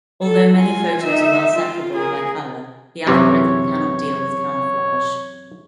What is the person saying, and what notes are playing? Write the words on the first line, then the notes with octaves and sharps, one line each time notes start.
Although many photos are well-separable by color, the algorithm cannot deal with camouflage.
A4
F4 G#5
D#4 E5
F4
G#4 A#4
F#2 C3 E3 C#5